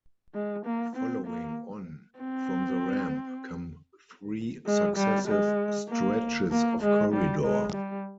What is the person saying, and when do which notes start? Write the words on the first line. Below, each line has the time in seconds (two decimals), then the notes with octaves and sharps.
Following on from the ramp come three successive stretches of corridor.
0.34 G#3
0.65 A#3
0.96 C4
1.27 A#3
2.19 C4
4.67 G#3
4.97 G3
5.28 G#3
5.89 A#3
6.51 A#3
6.83 G#3
7.13 G3
7.44 G#3
7.75 G3